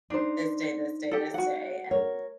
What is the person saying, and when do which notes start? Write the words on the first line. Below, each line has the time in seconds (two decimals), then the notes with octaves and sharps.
this day, this day, this day," and
0.10 D4 D#4 C5
1.11 G4 A4
1.34 F#4 F#5
1.91 A#4 C#5